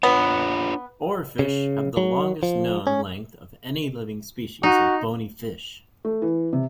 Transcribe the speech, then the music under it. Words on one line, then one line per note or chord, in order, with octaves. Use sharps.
Oarfish have the longest known length of any living species of bony fish.
B3 D4 F4 C#5
C#3
F#3
F3
C#4
D#4 F#4
A3
E3
C3